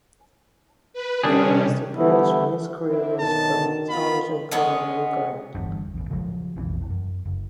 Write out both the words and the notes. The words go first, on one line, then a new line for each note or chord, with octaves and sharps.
Beir last appearance from his career was from the television program "Lou Grant".
B4
C3 G3 C#4 D4 G#4
D3 E3 G3 A3 B3 E4
C4 E4
F#2 B2 D#3 A5
B3 F4 B5
G#3 B3 C#4
G1 E2 G2
A1 E2
C#3 F3 F#3 G#3
F1 B1 E3 C4
F#2
F#1